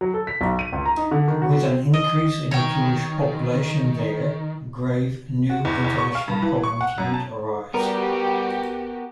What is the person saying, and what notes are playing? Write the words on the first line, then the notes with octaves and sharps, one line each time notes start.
With an increase in the Jewish population there, grave, new international problems would arise.
F#3
A4
B6
B1
D#7
C#2
A#5
D#4
D3
D#3
F#4
C4
D#5
D#3 C#5 G5
F#4
E2
E2
C#6
F5
G2
E3
C#6
F#5
F#2
A5
G3 B3 F#4 G4 A#4